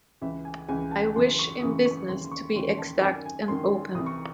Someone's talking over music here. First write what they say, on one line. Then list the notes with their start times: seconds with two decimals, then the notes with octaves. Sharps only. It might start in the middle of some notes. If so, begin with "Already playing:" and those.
I wish in business to be exact and open.
0.21 C#2 C#3 E3 E5
0.45 G#5
0.68 C#2 C#3 E3 G#5
0.91 A5
1.16 F#2 C#3 E3 C6
1.39 C#6
1.61 F#2 C#3 E3 D#6
1.86 C#6
2.09 D#2 C#3 E3 C6
2.25 C6
2.32 C#6
2.56 D#2 C#3 E3 C6
2.78 A5
3.01 F#2 D#3 G#5
3.26 G#5
3.48 F#2 D#3 C6
3.95 C2 C3 E3 D#6
4.06 C#6